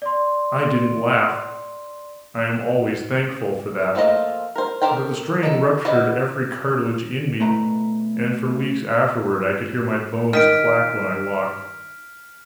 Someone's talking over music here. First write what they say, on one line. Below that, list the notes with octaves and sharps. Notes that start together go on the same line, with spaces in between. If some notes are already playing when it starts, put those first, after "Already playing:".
I didn't laugh--I am always thankful for that--but the strain ruptured every cartilage in me, and for weeks afterward I could hear my bones clack when I walked.
D5 C6
F3 A3 A#3 F4 D#5
A#4 C5
G4 A4 A#4 C5 G5
D#4 A4
F#4 B4 D5 D#5
B2 A3 E4 A#5
D#3 F6 B6 D7